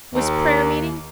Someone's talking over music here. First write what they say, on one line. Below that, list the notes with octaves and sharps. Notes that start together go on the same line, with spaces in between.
"Was prayer-meeting?"
D#2